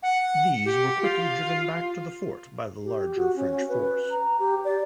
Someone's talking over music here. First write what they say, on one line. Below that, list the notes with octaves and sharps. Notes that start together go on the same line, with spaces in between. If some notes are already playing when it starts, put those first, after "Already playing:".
These were quickly driven back to the fort by the larger French force.
F#5
G4
F4
G4
F#4
C#4
B4
A#5
G4
D5